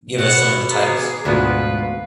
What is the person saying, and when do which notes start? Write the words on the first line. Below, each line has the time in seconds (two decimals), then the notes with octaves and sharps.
Give us some of the titles?
0.18 B2 F#5
0.70 B3 G#4 A#5 D6
1.25 D2 G#2 B2 F3 B3 B4 F5